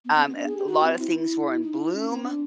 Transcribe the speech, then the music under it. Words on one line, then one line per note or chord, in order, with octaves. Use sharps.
Um, a lot of things were in bloom.
B3
C4
B3
D4
G#4
G4
F#4
C4
E4
D#4
E4
C#4
C4
D4